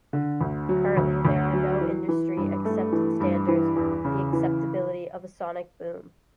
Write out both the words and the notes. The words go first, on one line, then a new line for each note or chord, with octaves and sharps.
Currently there are no industry accepted standards for the acceptability of a sonic boom.
D3
D2
F#3
D2
D2
F#3
E3
E3
G2
A3
E3
G2
E3
E2
C#3
E3